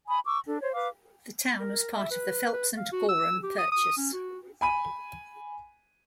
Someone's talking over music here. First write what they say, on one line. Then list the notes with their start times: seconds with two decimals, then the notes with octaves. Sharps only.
The town was part of the Phelps and Gorham Purchase.
0.08 G#5 B5 D#6
0.25 C#6 D6 E6
0.47 D4 A4
0.61 C5 C#5
0.73 B4 F5 D6
1.60 A#4
1.97 E5
2.11 B4
2.54 B4
2.77 F5
2.92 F#4
3.09 E6
3.43 G4
3.58 D#6
3.72 D#6
3.97 C#4
4.13 F#4
4.61 G#5 B5 D#7